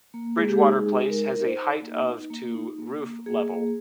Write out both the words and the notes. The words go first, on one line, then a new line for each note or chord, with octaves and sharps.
Bridgewater Place has a height of to roof level.
A#3
G#3 G#4
G4
D#4 G#4
G#3
D#4 A#4
A#4
D#4
C5
D#4
A#3
D#4
A#3
D#4
A#3
A#3
A#3 G#4
A#3